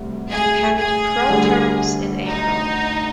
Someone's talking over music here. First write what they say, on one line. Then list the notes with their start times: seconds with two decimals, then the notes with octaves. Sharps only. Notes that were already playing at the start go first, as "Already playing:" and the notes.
He penned pro terms in April.
Already playing: D2 C3 G3
0.30 G#4
0.79 G#4
1.28 D2 D3 G3
2.26 D#4